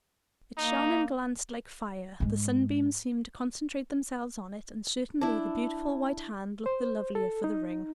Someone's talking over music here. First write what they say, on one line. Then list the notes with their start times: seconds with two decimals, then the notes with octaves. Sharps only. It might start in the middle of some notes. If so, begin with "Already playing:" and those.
It shone and glanced like fire; the sunbeams seemed to concentrate themselves on it; and, certainly, the beautiful white hand looked the lovelier for the ring.
0.58 A#3 D#4
2.20 G#2 G#3
5.21 D4 E4
6.66 C5
7.15 A4
7.44 D#4